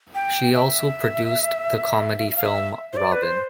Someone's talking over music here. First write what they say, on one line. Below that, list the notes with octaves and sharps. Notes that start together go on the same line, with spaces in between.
She also produced the comedy film "Robin".
G5
E5
F5
E5
C5
D5
B4
C5